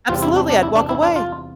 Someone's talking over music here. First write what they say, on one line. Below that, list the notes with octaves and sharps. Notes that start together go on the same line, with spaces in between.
Absolutely, I'd walk away.
E2 C3 G3 C4 F4
E4
D4
D4
E4
D4
E4
D4
F4